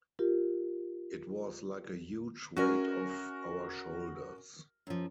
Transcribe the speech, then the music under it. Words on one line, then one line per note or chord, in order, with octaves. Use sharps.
It was like a huge weight off our shoulders.
F4 G4 A#4
C#4 F#4 A#4 E5 G#5
F#2 F3